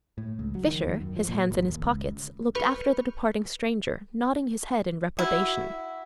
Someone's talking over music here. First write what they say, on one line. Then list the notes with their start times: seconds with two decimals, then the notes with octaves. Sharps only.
Fisher, his hands in his pockets, looked after the departing stranger, nodding his head in reprobation.
0.18 A2
0.39 C#2
0.55 F#3
0.67 D#3
0.83 D#2
1.01 F#2
1.17 F3
1.28 A#2
1.50 G#1
1.69 D#2
1.83 C#2
2.55 C2 B4 C#6 F6 G6
5.19 E4 F#4